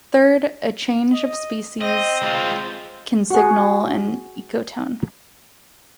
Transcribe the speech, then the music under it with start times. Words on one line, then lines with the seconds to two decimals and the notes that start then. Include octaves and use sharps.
Third, a change of species can signal an ecotone.
1.13 D#5
1.81 C4 D#5
2.22 G#3 F4
3.30 F#4 G#4